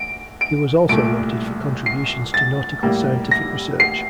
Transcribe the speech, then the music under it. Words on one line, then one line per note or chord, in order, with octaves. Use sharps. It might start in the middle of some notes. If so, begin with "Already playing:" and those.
He was also noted for contributions to nautical scientific research.
Already playing: D7
D7
C2 A#2 A3 D7
C7
A6
A2 G3 A#3
A#6
C7